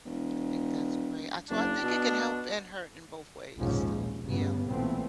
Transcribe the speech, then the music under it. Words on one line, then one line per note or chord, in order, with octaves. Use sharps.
I think that's great. I So I think it can help and hurt in both ways. So, yeah.
E1
F#1 D4
B2
A#1 D#2 G#2 B2 F3 C#4
A#1
G1 A2 C#3 B3
B1 A#2 E3 A3 B3 C4